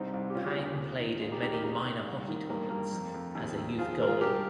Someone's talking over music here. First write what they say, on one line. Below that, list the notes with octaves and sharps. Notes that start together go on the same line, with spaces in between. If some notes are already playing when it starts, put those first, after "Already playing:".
Pang played in many minor hockey tournaments as a youth goalie.
Already playing: C2 G2 C4 D#4
C2
G4
C#3 C#4 F4
G4
D#2 F4 G#4
D#2
D#3
D#3 F4 G#4
D#4 G4
D#2 D#4 G4
G4 A#4
C#3 D#4 G4
C#3
C2
D#3
G2 A#3
G2 A#3
F2
F2
D#2
D#2
F3 F4 G#4
D#2 A#4
F4 G#4
G2 G4 A#4